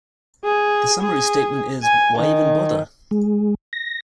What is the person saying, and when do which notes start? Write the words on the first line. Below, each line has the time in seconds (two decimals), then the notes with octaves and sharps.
The summary statement is: Why even bother?
0.44 G#4
1.01 G#4
1.83 G#5
2.18 D#3
3.11 G#3
3.73 A#6